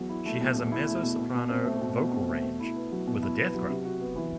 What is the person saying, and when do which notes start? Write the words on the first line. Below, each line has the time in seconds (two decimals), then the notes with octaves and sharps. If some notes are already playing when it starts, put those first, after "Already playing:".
She has a mezzo-soprano vocal range, with a death growl.
Already playing: E2 F#3
0.09 E4
0.26 A3
0.41 B2
0.56 E2
0.72 E4
0.88 A3
1.03 B2
1.19 B2
1.35 B2
1.50 C4
1.65 A3
1.82 B2
1.98 B2
2.12 C4
2.29 A3
2.44 B2
2.60 E4
2.76 B3
2.92 F#3
3.07 B2
3.22 E4
3.37 B3
3.54 F#3
3.69 C3
3.85 F#4
4.01 B3
4.16 E3